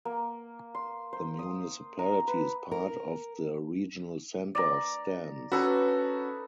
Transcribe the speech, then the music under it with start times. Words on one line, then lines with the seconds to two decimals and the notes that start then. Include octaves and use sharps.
The municipality is part of the regional center of Stans.
0.05 A#3
0.75 C6
1.13 C5
1.39 D#6
1.99 A#5
2.28 B4
2.71 A#4
4.55 D5 A#5
5.52 C#4 D#4 F#4 A4 B4